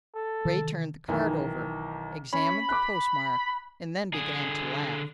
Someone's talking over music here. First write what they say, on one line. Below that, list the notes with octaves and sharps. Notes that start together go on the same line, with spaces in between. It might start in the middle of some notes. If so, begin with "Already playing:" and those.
Ray turned the card over, examined the postmark, and then began to laugh.
A4
C3 D#3 E3
B1 D#3 E3
C#4 B5
D6 F#6
D3 G#4